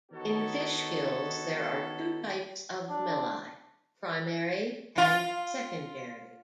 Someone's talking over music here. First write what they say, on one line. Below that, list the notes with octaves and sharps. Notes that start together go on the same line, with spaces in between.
In fish gills there are two types of lamellae, primary and secondary.
D#3 B3 D#4 F#4 A4 C#5
D4
F4